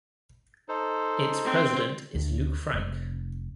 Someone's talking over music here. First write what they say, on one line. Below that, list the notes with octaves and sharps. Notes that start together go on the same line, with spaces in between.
Its president is Luc Frank.
D#4 A4 C5
C4
D2
F1